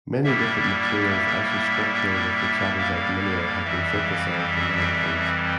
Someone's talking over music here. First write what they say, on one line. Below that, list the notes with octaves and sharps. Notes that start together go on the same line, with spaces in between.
Many different materials isostructural with the chabazite mineral have been synthesized in laboratories.
A2 G3 A#3 E5
E5
F5
F2 E3 G3 C4 E5
F5
E5